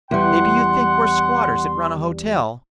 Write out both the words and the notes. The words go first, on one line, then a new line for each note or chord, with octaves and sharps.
"Maybe you think we're squatters that run a hotel?"
E2 G3 F#5 C6